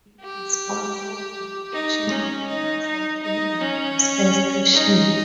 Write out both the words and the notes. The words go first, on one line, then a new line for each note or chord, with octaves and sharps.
It is also the location of the recycling and transfer station.
G4
D#4
C#4
D#4
D#4
D#4
C#4
D#4